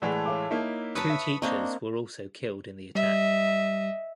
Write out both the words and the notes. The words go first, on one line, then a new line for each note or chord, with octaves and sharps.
Two teachers were also killed in the attack.
A2 E3 G#3 A3 D5 F#5 A5
C#5 F5 D6
A#3 D#4 E4
F#2 B4 A5 B5 C#6 D#6
E5
A#3 C4 D4 D#5 A#5 C#6
G3 D#5 E5